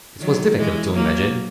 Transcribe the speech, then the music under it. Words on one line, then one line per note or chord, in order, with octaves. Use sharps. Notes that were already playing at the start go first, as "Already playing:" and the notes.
It was difficult to imagine.
D#3 F#3
E3 G#3
F#3 A#3